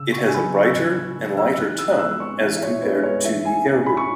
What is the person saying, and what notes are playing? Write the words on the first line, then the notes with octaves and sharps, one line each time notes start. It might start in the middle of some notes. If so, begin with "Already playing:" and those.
It has a brighter and lighter tone as compared to the "erhu".
Already playing: C#3 E6
C#6
G#5
F#3 B3 B5
C#6
E6
C#3 F#6
E6
F#3 B3
E6
E6
E3 F#6
E6
F#6
G#3 B3 E6
E6
C#6
E3 E5
E5
C#5
B3 B4
G#3
C#5
E3 E5
G#5
C#4 G#5
G#5
B5
C#6